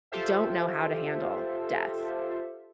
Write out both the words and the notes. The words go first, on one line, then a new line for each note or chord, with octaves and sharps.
don't know how to handle death
F4 G4 A4 C5 E5